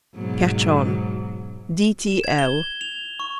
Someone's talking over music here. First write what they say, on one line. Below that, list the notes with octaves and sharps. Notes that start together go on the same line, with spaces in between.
Catch on. D.t.l.
G#2 B2 F#3
E7
G#6
G7
F7
C#6